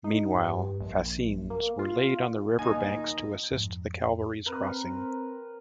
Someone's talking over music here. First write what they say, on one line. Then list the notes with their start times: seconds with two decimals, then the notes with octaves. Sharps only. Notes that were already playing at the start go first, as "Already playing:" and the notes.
Meanwhile, fascines were laid on the river banks to assist the cavalry's crossing.
0.04 D#4
0.35 G2
0.80 A#1
1.50 A#3
1.79 F4
2.59 D#2 D#4 G#5
3.51 F2 G#2
4.46 C4 A#4 B4